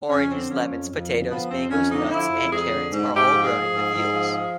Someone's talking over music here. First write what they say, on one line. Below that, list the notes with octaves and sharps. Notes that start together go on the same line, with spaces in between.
Oranges, lemons, potatoes, mangos, nuts and carrots are all grown in the fields.
F2 C#4
D3 C4
F3 C#4
F2
F2
D3
F3 B3
F2 C4
F2 C#4
D3 D#4
F3 E4
F2
F2 G#4
D3
G#2
G#2
G4
F3
G#4
F3
G#2
G#2
F3
F3